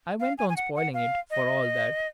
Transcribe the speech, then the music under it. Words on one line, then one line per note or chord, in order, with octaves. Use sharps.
I went on spoiling it, for all that.
F5
G#5
G#5
F#5
F#5
F5
D#5